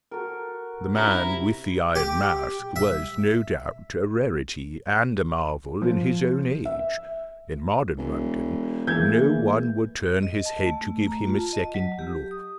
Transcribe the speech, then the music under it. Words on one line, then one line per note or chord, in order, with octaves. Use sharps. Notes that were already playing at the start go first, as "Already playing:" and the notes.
'The Man with the Iron Mask' was, no doubt, a rarity and a marvel in his own age: in modern London no one would turn his head to give him a second look!
F#4 A4 A#4
C3 C#4 D4 E4 F#4 A#5
G4
E5
F3
E5
E1
E3 A3 A#3 G#4 G6 G#6
D#5
A5
A3
A#5
F4
A5
D#5
F#3
G4
D#6